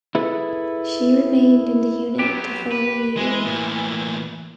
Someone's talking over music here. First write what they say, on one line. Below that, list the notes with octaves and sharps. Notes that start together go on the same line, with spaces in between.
She remained in the unit the following year.
E4 G#4 A4 B4
F#3 B3 G4
B4
E3 G#3
A2 A#3